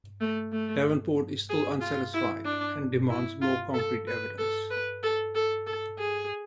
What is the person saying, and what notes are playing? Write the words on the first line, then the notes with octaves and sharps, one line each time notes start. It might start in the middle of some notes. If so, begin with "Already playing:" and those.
Davenport is still unsatisfied and demands more concrete evidence.
A3
A3
G#4
F4
E4
D4
E4
F4
A4
B4
A4
B4
A4
A4
A4
G#4